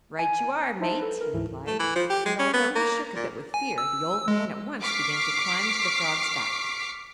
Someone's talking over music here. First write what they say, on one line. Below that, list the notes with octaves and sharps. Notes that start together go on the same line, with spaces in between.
"Right you are, mate," he replied, and although he shook a bit with fear, the old man at once began to climb to the frog's back.
G#5
D#4 E4 C5 E5 A5
A4 B4
A#4
G#1 D2 G#2 E3 E4
A3
E3
F3
G4
G#3
C#4
B3
A#3
A#2
G#5
E6
G#3
C#6 D6 F6 B6 C7